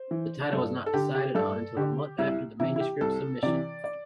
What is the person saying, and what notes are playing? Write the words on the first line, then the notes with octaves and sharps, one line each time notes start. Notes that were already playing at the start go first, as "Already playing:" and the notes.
The title was not decided on until a month after the manuscript's submission.
Already playing: C5
E3
G2 A4
A4
D3 G4
G4
G2 A4
D3 G4
C2 E4
C3 E3 E4
E4
G4
C2 A4
C3 E3 D5
D5